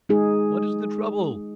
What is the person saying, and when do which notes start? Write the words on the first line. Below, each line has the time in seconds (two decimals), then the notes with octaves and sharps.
"What is the trouble?"
0.09 G#3 D#4 G#4